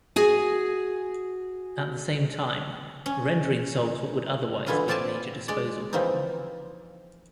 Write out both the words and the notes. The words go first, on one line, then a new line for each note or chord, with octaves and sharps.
At the same time, rendering solves what would otherwise be a major disposal problem.
F#4 G#4 G#5
C#4
A#2 D3 E3 E4 F4 D#5
C4 F4 D5 E5 G#5 A5
G#3 D5
E3 F3 A#3 C4 D#4